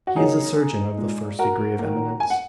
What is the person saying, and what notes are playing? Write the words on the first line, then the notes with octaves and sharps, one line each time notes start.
He is a surgeon of the first degree of eminence.
F#4
C#3 F#3 A#3 D#4 G#4
A#2 G#3
F#4 A#4
D#3 A#3
G#5
F#5